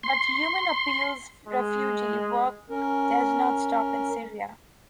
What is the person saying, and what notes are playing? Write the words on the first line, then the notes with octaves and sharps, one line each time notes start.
But Human Appeal's refugee work does not stop in Syria.
C6
G#3
C#4 A#4